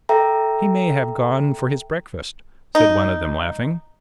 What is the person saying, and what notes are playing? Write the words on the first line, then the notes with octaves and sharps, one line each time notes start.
"He may have gone for his breakfast," said one of them, laughing.
A4 E5 G5 A#5
D#4